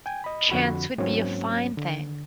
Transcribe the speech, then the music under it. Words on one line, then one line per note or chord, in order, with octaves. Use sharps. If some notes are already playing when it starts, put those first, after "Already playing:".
Chance would be a fine thing!
G5 G#5
D#5 B5
F2 D3 F#4 B5
G#2 F#3 A#3 C4 C#4
D3